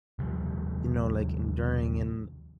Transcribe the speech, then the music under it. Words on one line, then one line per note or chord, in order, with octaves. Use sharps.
you know, like, enduring and
D#2 C3 F3 G3